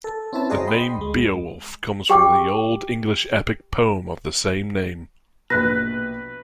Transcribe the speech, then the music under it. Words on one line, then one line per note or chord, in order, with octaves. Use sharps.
The name "Beowulf" comes from the Old English epic poem of the same name.
A4
C4 C#4 E4 B4 A5
F#4 G#4 C5 D5 D#5 A#5
D#5 G5 B5 C6
D2 G#3
G4 G5 D6
A#1 B2 B4 F#6 A#6